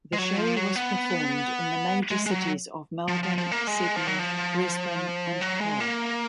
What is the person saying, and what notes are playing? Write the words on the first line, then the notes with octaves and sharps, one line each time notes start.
The show was performed in the major cities of Melbourne, Sydney, Brisbane, and Perth.
G#3
F#3
F3
F#3
B3
G#3
G#3
F#3
F3
F3
F3
A#3
G#3
F3
F#3
F3
F#3
G#3
A#3